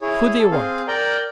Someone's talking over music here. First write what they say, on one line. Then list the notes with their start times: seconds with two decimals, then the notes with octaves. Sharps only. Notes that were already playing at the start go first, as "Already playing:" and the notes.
"Who do you want?"
0.01 E4 G#4 C#5
0.39 A4
0.51 C4 G#4 F5
0.87 A#4 D5 G5 A#5